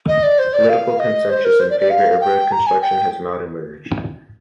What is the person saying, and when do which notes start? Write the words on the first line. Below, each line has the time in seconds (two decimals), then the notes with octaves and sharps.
Political consensus in favor of road construction has not emerged.
0.08 D#5
0.23 D5
0.39 C5
0.53 D5
0.69 F5
0.99 D#5
1.30 C5
1.45 A#4
1.60 C5
1.70 D5
1.80 D5
1.90 F5
2.21 G5
2.52 A#5
2.67 G#5
2.82 G5